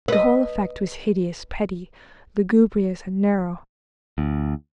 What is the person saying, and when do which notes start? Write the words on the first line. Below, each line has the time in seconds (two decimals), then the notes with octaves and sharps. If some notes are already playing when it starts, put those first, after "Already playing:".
The whole effect was hideous, petty, lugubrious, and narrow.
0.08 B4 D#5
4.18 D2